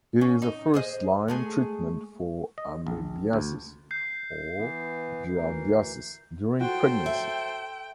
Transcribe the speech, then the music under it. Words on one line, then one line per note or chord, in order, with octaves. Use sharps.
It is a first line treatment for amebiasis or giardiasis during pregnancy.
C#4
D#4
G#4 C5 D#5
G#3 A3 G#4
D#5
A#1
D2
G6 C7
E3 B3
D2 E3 A#4
F#4 A4 C5 G5
E5